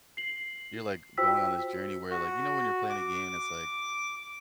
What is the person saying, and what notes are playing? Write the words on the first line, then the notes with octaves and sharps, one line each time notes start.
you're, like, going on this journey where, like you know, when you're playing a game and it's, like,
C7 F#7
F4 F#4 C5 G5 E6 B6
F#4
D6